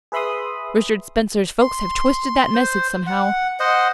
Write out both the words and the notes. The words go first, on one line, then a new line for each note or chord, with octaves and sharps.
Richard Spencer's folks have twisted that message somehow.
G#4 B4 E5 B5 C6 D#6
C6
C5
F#5
C5 D#5 F#5